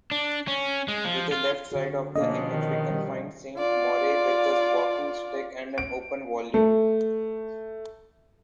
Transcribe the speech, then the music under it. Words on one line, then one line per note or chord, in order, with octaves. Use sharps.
To the left side of the image we can find Saint Maure with a walking stick and an open volume.
D4
C#4
G#3
F3
F4
D3 F#4
B2 F3 A#3 C#4 D4 D#5
D#3
G3
F4 D5
D7
A3